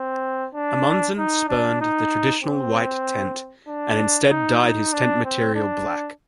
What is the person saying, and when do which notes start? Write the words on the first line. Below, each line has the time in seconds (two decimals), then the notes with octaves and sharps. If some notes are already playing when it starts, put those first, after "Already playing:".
Amundsen spurned the traditional white tent, and instead dyed his tent material black.
Already playing: C4
0.54 D4
1.18 D#4
1.48 D4
1.81 D#4
2.43 C4
3.68 D4
4.30 D#4
4.62 D#4
4.93 D4
5.25 C4
5.55 D4